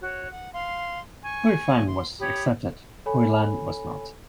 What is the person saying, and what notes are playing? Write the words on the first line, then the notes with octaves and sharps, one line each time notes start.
Huifang was accepted; Huilan was not.
F#4 C#5
F#5
F5 C6
G#5 C#6
C6
G4 C#5 B5 D#6
A4 C#5 G#5 B5